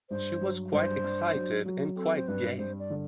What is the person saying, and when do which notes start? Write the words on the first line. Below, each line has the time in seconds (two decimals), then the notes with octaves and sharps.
She was quite excited, and quite gay.
0.10 G2 C5
0.41 F#3
0.71 G2 C5
1.04 D4
1.34 F#3
1.66 F#3
1.96 C4 A4
2.16 C5
2.28 G2 B4
2.58 G3 C5
2.79 D5
2.90 D3